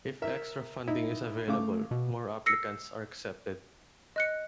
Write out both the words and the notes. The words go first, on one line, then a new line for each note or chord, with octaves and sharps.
If extra funding is available, more applicants are accepted.
A#4 E5
D#4 E4
C#3 A3 F5 D6
B2
E6 A#6 C7 C#7
D#5 F#6 C#7